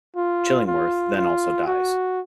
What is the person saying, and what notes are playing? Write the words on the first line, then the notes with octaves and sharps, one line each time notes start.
Chillingworth then also dies.
F4
F4
F4
F#4